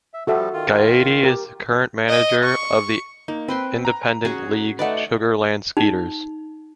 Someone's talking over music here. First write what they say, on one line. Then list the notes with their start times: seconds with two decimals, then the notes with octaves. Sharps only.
Gaetti is the current manager of the independent league Sugar Land Skeeters.
0.14 E5
0.27 F3 G3 F#4 A4 E5
0.53 D#3 F4
1.24 G4 A#4
2.09 D#5
2.45 C#6
3.28 A#3 D#4
3.48 C4 B4 G5 C6
3.85 A#5
4.25 C#4 F#4 G#4
4.79 A3 D#4 B4 D5 F#5
5.77 D#4